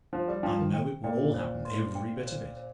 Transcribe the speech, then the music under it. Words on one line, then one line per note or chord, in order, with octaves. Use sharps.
I know it will all happen- -every bit of it.
F3 C5
G3
F3 G5
D#3
G5
A#2 G5
C5
C6
G5
C5
C5